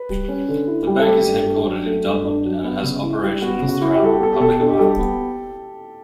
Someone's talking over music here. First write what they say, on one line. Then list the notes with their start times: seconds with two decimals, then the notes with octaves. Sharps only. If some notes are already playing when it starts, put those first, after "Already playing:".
The bank is headquartered in Dublin, and has operations throughout the Republic of Ireland.
Already playing: B4
0.10 G3
0.28 C#4
0.48 D3
0.67 E4
0.87 G3
0.99 A4
1.07 A3 G4
1.27 G2
1.46 D4
1.66 F#3
1.86 A3
2.04 G2
2.25 D4
2.44 F#3
2.64 B3
2.83 C#3
3.03 E4
3.23 G3
3.42 B3 F#4
3.62 C#3
3.68 F#4
3.82 E4
3.94 G4
4.01 G3 A4
4.13 G4
4.20 B3 A4
4.32 G4
4.40 B2 A4
4.51 G4
4.60 D4 A4
4.70 G4
4.79 G3 A4
4.89 G4
4.99 B3